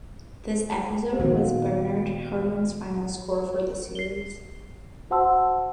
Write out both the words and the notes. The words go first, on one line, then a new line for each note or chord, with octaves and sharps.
This episode was Bernard Herrmann's final score for the series.
A#2 D#3 F3 A#3 B3 F#4
C7 G7
F#4 C5 F#5 A5 C6 E6